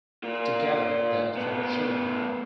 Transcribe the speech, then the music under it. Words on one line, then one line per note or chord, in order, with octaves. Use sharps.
Together they had four children.
A#3 F4
A3 B3